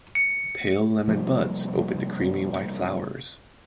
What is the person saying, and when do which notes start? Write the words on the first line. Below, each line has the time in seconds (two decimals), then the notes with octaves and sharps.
Pale lemon buds open to creamy white flowers.
0.15 C#7
1.08 C3 F3 G3 A#3